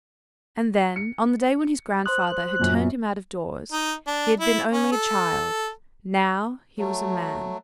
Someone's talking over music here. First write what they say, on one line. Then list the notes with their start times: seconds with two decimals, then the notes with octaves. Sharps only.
And then, on the day when his grandfather had turned him out of doors, he had been only a child, now he was a man.
0.96 C#7
2.06 C5 C6 D#6 F#6
2.59 F#2 A#2
3.72 D#4
4.07 D4
4.40 E4
4.71 C#4
4.92 A4
6.78 F#3 A3